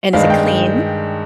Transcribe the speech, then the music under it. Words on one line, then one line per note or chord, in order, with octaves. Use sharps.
And is it clean?
G2 D#3 G#3 F5
G5